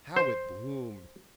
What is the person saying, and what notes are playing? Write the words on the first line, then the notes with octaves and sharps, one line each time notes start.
How it bloomed!
C5